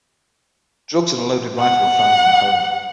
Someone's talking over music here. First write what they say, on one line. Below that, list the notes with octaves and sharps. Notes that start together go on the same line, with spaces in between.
Drugs and a loaded rifle were found in the home.
F#5